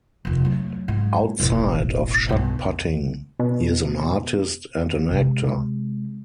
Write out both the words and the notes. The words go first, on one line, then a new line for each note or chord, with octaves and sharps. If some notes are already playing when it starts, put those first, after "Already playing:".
Outside of shot putting, he is an artist and an actor.
F1 D#2
F#3 A3
G#2
E1 A1
B1 G2
B2
C3 G#3